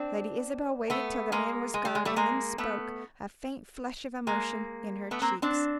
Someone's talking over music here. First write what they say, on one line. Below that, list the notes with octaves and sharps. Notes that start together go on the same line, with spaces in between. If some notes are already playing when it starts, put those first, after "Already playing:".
Lady Isabel waited till the man was gone, and then spoke, a faint flush of emotion in her cheeks.
Already playing: C4 D4
A3 B3
G#3 A#3
G#3
G3
G#3
G3 A3
G#3 A#3
A3 B3
G#3 A#3
A3 B3
A#3 C4
C4 D4